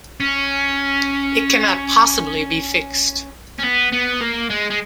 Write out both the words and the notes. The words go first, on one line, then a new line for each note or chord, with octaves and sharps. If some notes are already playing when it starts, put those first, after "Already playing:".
It cannot possibly be fixed.
C#4
C#4
B3
B3
A#3
G#3
G#3